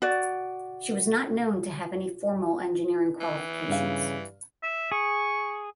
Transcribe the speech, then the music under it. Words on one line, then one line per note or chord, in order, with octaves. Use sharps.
She was not known to have any formal engineering qualifications.
F#4 D5
E3
G2 C#3 F5
E5
G#4 C#6